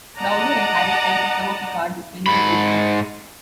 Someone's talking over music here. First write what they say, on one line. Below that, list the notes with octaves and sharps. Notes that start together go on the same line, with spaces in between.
Crowley and Harris painted some of the cards as many as eight times.
D5 D#5 F#5 A5 A#5
G#2 B5